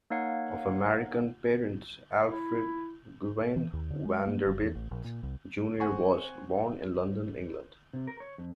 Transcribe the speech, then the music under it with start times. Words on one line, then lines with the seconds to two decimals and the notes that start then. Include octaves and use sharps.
Of American parents, Alfred Gwynne Vanderbilt, Junior was born in London, England.
0.10 A#3 D#4 C#5 F5 F#5
2.28 E4
3.56 E3
3.73 D#2
3.90 D3
4.05 G#3
4.27 A#3
4.47 F#1
4.62 E2
4.75 A1
4.91 A#1
5.04 A#2
5.23 C2
5.80 C4 F#5 G#5 C#6
7.93 C3
8.07 A#4
8.20 C#5
8.38 F2